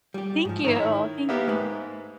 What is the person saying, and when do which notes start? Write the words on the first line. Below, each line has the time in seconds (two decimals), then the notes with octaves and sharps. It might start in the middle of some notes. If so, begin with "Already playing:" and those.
Thank you. Thank
0.14 G3 G4
0.45 G#2 F3
0.65 D#3 E4 C#5 A#5
1.29 A#3 B3 G4 E5
1.48 G#2 A3 B4